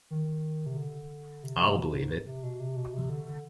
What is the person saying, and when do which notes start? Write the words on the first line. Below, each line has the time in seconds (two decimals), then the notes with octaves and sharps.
I'll believe it.
0.11 D#3
0.66 C3
0.77 D3
1.43 C3
1.60 C3
1.76 B2
1.93 G#2
2.27 C3
2.43 B2
2.60 C3
2.76 B2
2.93 C3
3.09 D3
3.26 D3